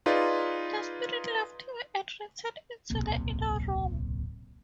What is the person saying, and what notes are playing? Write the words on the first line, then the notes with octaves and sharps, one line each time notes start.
The spirit left him and returned into the inner room.
D#4 F4 G#4 B4 D5
D1 B1 C3 A#3